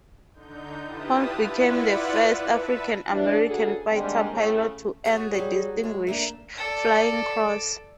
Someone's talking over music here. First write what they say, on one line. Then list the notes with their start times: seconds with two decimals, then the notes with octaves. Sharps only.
Hall became the first African American fighter pilot to earn the Distinguished Flying Cross.
0.33 D3 D#4 G6
0.85 E4 F4 G4 B4 A5 D#6
1.41 E4 F4 B4 D5 E5 F#5
2.49 B4 E5 A5
3.10 E3 F#3 A3 D4
3.46 D2 C#3 F#4 G#4 A4
3.90 D3 D#3 G3 G#3 A#3 C4
4.31 A2 C#3 A3
5.05 F#4 G#4 C#5
5.35 F#3 G3
5.84 G#3
6.07 A3 A#3 D4
6.57 A4 D5